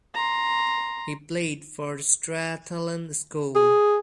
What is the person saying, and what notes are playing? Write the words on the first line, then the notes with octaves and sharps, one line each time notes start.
He played for Strathallan School.
A#5 C6
G#4